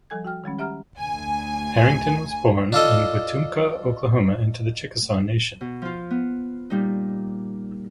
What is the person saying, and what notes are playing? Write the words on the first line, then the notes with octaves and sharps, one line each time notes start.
Herrington was born in Wetumka, Oklahoma into the Chickasaw Nation.
F3 G3 A4 G#5 G#6
F#4 G5 F6
D#3 G3 G#3 C#4
G4 E5 F#5 A#5 F6
D2 G#5
D4 F4 A4 D#5
B2
F3 F4
B3
A#2 G3 D#4